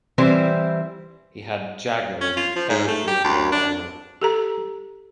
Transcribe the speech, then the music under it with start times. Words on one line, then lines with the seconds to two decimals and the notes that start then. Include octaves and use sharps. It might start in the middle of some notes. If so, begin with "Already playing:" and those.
He had Jagir in the territory of Warana.
0.18 E3 G3 C4 E4 B4 C5
2.21 C#4
2.37 F4
2.56 F3
2.70 G#2
2.88 A3
3.08 G4
3.24 D2
3.52 D4
4.22 G4 A4 A#5